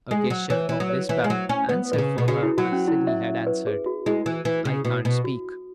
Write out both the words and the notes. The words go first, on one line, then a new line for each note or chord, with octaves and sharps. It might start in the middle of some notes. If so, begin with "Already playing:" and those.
A gesture of despair answered for her as Sydney had answered: "I can't speak!"
G#3
F#3
E3 C#5
E3 B4
F#3
C#5
E3
G#3
F#3
C#4
B3 B4
B2 B4
C#3 G#4
B2
C#3 F#4
E4
F#3 F#4
C#4
E4
E5
B4
G#4
F#4
G#3 E4
E3
E3
C#3
B2
B2
F#4